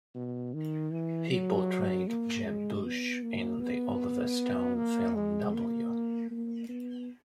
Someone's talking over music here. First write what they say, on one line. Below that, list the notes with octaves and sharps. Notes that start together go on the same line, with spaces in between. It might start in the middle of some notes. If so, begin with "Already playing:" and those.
He portrayed Jeb Bush in the Oliver Stone film "W".
B2
D#3
E3
F#3
A#3
G#3
B3
A#3
B3
A#3
G#3
A#3
A#3
B3